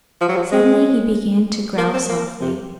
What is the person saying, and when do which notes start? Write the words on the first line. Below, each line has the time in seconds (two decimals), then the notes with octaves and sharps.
Suddenly he began to growl softly.
0.21 F3
0.29 F#3
0.36 F3
0.52 G#3
1.78 A#3
1.93 C4
2.09 A#3
2.40 C3